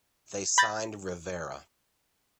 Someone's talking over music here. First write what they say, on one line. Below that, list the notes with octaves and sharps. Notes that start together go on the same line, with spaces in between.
They signed Rivera.
B5 G6 A6 A#6